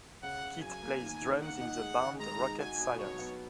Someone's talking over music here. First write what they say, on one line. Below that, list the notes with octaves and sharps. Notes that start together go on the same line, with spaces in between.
Kit plays drums in the band Rocket Science.
C#3 F#5
C#3
F#3 G#5
A#3
D#3
D#3
A#3 F#5
D#4
G#4
D#3
G#3 A#5
D#4
F#4 G#5
B2
F#3 C#5
B3